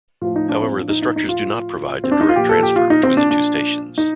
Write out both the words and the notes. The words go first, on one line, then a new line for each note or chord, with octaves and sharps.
However, the structures do not provide a direct transfer between the two stations.
A2 F3 F4
D#4
D4
C4
D4
D#4
D#4
D#4
F4
C4
D4
D#4
F4
A#2 F3 G4
A4
G4
F4
D#4
C4
D4
D4
D#4